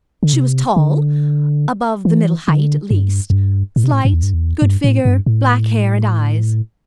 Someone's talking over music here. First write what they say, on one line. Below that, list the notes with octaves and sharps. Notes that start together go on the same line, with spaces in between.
"She was tall, above the middle height, at least; slight, good figure, black hair and eyes."
D3
C3
D3
E3
D3
G2
E2
G2
A2
C3
A2
G2
E2
G2
E2
G2
A2
G2
A2